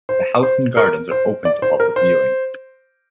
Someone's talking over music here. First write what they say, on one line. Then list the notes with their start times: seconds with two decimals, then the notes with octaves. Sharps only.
The house and gardens are open to public viewing.
0.09 C5
0.43 C5
0.77 A#4
1.11 C5
1.45 D5
1.62 C5
1.80 A#4
1.96 C5